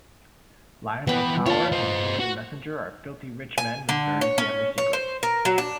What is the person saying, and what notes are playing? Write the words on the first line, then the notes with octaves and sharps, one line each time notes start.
Lionel Powers and Julian Messenger are filthy rich men with dirty family secrets.
E3 B3 B4 G5
F4 C#5 A5
C5 D#5
F#4
G#5
D3
C#5
C#4
C#5
C5
A#4
F#3
D4